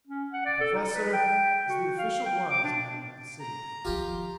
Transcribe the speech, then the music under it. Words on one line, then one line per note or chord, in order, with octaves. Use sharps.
The Professor is the official wise man of the city.
C#4
F#5
D5
A4
D#4
B4
G5
F#4
F5
G5
D6
D4
A#5
D#3 F3 F4 G4